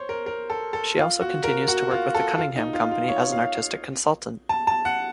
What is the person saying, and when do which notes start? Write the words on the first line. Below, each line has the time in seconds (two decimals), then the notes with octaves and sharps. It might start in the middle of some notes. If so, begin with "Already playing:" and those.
She also continues to work with the Cunningham company as an artistic consultant.
Already playing: C5 C#5
0.09 A#4
0.26 A#4
0.50 A4
0.73 A4
0.97 F4
1.21 F#4
1.44 A#4
1.68 F#4
1.91 F4
2.15 A4
2.38 F4
2.56 D#4
2.73 F4
2.91 F4
3.09 C#5
3.32 F5
3.55 F5
4.49 A5
4.67 A5
4.85 F#5